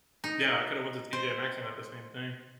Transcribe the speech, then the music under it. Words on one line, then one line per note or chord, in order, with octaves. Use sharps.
Yeah. I coulda went to TJ Maxx and got the same thing.
D#4
C5